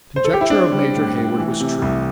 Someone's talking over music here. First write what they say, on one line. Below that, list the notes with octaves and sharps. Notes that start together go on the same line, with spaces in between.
The conjecture of Major Heyward was true.
C5
A4
G4
E4
C4 D4
G3
A2
A2
E3
C3
C2